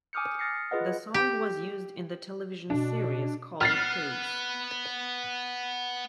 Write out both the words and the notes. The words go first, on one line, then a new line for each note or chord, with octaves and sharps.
The song was used in the television series "Cold Case".
G#5 D6 D#6 F6 G6 C#7
D#6 F6 A6 A#6 C7 C#7
F4 G#4 B4 D#5 F#5
G4
B2 D4
B3 F6 A6 C7